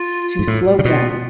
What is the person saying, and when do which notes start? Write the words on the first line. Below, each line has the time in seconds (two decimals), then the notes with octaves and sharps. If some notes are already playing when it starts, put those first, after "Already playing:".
to slow down,
Already playing: F4
0.39 G#2
0.47 A2
0.79 C#3
0.85 B2 F4